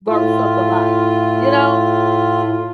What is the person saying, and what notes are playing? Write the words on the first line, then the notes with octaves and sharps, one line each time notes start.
verse of the Bible, you know?
A2 F4